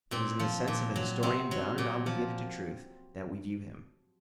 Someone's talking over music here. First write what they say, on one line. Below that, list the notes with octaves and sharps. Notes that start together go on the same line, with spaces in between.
It is in the sense of a historian bound and obligated to truth that we view him.
A#2 C4
F3
A#2
F#3
C3 C4
F#3
A#2
F3